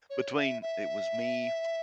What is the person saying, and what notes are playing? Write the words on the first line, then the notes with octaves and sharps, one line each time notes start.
between it was me
C#5
E5
E5